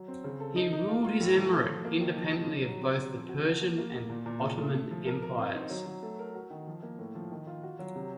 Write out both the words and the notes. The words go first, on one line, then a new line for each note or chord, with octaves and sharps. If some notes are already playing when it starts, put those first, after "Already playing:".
He ruled his emirate independently of both the Persian and Ottoman Empires.
Already playing: F#3
C4
C#3
A4
D#4
D#4
F4
F4
A2
F3
A3
F3
A#3
D#3
F3
D#4
F#3
F#3
C4
C4
F3
F#4
F3
A#3
A#3
A#3
A#2
A#2
C#3
A3
A3
F3
A#4
A#4
C4
D#4
F#3
F#3
A3
A#4
F#4
D#3
F3
A#3
A2
F3
D#3
F4
F#4
F#3
C3